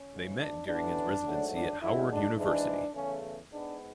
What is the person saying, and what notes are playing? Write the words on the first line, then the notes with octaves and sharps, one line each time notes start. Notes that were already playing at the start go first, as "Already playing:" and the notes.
They met during his residency at Howard University.
Already playing: C#4
G#1 G#2 E3
D4
A1 A2 E3 B3 D4
G#2 F#3 A3
D4
F#2 D3 G#3 E4
D4
G#2 E3 G#3 D4
E2 C#3 E3 A3 C#4
G#2 G#3 B3 D4